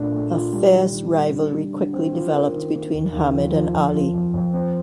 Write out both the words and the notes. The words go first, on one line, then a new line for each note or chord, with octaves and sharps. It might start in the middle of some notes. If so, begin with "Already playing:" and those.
A fierce rivalry quickly developed between Hamid and Ali.
Already playing: A#2 A3 D4
A3
F4
G3
D#3
D#3
G3
D3
G3
D3
C4
F4
A#4
D#3
A#3
D#2
D#2
F3
F3
F2
F3
F2
F2
C4